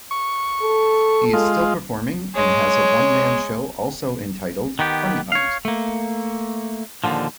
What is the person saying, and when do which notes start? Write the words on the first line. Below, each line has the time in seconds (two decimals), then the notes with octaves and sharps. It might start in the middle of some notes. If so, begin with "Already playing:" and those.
He is still performing and has a one-man show also entitled Funny Bones.
0.11 C#6
0.62 A4
1.33 G#3 F4
2.35 G#3 C#5
4.79 D#3 B3 G4
5.32 C#5 F5
5.65 A3 A#3
7.04 D#2 A#2 D3 F3